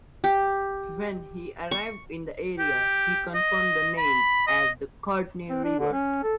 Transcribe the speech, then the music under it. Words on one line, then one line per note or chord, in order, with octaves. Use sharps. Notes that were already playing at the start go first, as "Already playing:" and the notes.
When he arrived in the area, he confirmed the name as the Courtenay River.
G4
C#6
G4
D#5
B5
D#5
C4
D4
D3
C#4
A4